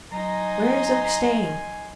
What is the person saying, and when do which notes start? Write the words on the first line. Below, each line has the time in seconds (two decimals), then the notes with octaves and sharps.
"Where is Oak staying?"
0.12 F#3 D#4 G#5 A#5 C6